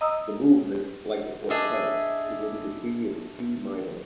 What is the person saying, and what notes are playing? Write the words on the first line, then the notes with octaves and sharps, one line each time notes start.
The movement, like the quartet, is in the key of C minor.
D#5 A#5 D#6 E6
D4 G#4 D#5 E5